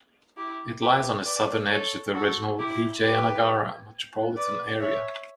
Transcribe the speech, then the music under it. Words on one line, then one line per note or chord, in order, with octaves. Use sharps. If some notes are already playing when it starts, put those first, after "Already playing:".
It lies on the southern edge of the original Vijayanagara metropolitan area.
E4 G4
G4 B4
B4 D5
A4 C#5
F#4 A4
E4 G4
G4 B4
B4 D5
C#5 E5